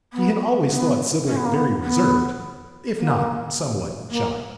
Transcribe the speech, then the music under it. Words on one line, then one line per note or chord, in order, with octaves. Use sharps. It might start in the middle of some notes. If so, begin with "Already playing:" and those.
She had always thought Sybil very reserved, if not somewhat shy.
B3
B3
C#4
B3
A#3
B3
B3
A#3
A#3